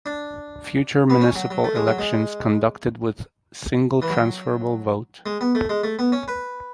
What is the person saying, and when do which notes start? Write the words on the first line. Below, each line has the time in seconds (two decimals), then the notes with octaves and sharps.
Future municipal elections conducted with single transferable vote.
0.06 D4
1.10 B3
1.21 C#4
1.35 F#3
1.50 F#3
1.64 A3
1.75 G#3
1.87 F#3
1.99 G#3
4.02 E3
4.10 F#3
5.26 G#3
5.41 B3
5.55 A3
5.69 G#3
5.84 A3
5.99 B3
6.12 C#4
6.28 B4